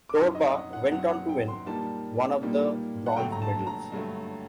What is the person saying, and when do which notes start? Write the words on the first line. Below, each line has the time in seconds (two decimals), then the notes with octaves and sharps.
Torba went on to win one of the bronze medals.
0.09 D6
0.16 F#2 F#3 C4 D#4 C6
0.35 D#5
0.48 D#5
0.54 F#5
0.73 F#5
0.92 F#2 F#3 C4 D#4 F#5
1.10 F#5
1.29 G5
1.48 C6
1.66 A#2 G3 A#3 D#4 A5
2.42 A#2 G3 A#3 D#4
3.06 F#5
3.16 G2 D3 F#3 A3 G5
3.32 A#5
3.42 A5
3.67 A#5
3.92 G2 D3 F#3 A3